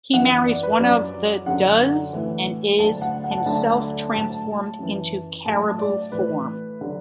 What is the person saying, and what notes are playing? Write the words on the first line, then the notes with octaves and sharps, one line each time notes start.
He marries one of the does, and is himself transformed into caribou form.
F#2 E3 F#5
D5
B4
F#2 F#3 D5
F#2 D3 F#3 F#5
A2 E3
D2 D3 F#3 A5
F#5
F#5
A5
F#5
D2 D3 F#3 A5
A2 F#3 A5
F#2 E3
A2 F#3 A5
D5
A2 E3 B4
D3 F#3